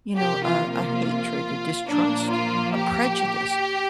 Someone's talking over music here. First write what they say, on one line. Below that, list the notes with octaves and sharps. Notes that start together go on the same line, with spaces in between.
you know, a a hatred, a distrust, a prejudice,
C3 F3 A#3 G4
F4
F4
A#2 F3 A#3 D4
F4
G4